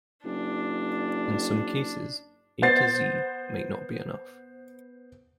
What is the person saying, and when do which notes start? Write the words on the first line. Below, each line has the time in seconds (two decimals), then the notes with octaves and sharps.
In some cases, A to Z might not be enough.
0.25 F#1 D4
2.62 B3 C5 F#5 A6 C7